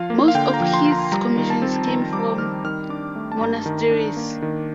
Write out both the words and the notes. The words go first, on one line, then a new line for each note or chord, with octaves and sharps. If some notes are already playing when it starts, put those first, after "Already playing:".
Most of his commissions came from monasteries.
Already playing: F3 F4 F5
A#3
F5
D3 G5
A#5
F3
C6
F4
A#5
G3 A#5
D#3
A5
C4
D#3 A#5
G3 D6
D#3 F6
D#3 F6
D4 D6
A3
A5
G2 A#5
D#3
A#5
D4
A#3
D#3